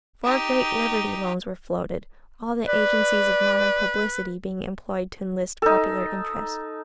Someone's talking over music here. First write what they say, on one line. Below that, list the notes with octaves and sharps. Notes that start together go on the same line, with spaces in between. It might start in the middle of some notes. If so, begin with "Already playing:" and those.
Four great Liberty Loans were floated, all the agencies of modern publicity being employed to enlist popular interest.
D#4 G4
B4 D5
D#4 A4